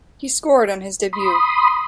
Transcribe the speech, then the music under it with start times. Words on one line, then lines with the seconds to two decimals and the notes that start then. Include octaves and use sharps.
He scored on his debut.
1.13 B5 C6 D#6